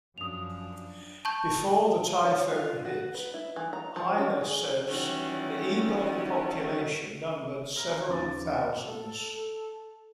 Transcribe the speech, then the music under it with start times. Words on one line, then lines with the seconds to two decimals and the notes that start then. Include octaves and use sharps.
Before the typhoon hit, Heine says, the Ebon population numbered several thousands.
0.18 F#2 F3 D4 D#6 F7
1.25 A5 C#6 G6
2.24 C#5
2.51 F4
2.85 F#4
3.14 B4
3.34 E4
3.56 E3
3.73 A#5
3.96 F3
4.18 C#4
4.41 G#4
4.87 D#3 E3 F#3 G3 C#4
7.76 E5 A#5 F6 A#6
8.09 D#2 C#3 D6 A6
8.86 A4